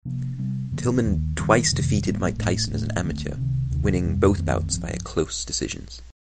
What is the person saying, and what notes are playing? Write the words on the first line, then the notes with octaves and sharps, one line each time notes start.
Tillman twice defeated Mike Tyson as an amateur, winning both bouts via close decisions.
C3 F3 A#3 D4
C3 G3 C4
G2 D3 F3 A#3
D#2 D#3 A#3
G2 D#3 G3 C4
F2 C3 D#3 A3
A2 G3 A#3
A2 A3 D4
A2 A3 D4
D2 D3 A3 C4
C2 C3 D#3
D2 C3 D#3
F2 C3 G3 C4
F2 D#3 A3 C4
G2 F3 C4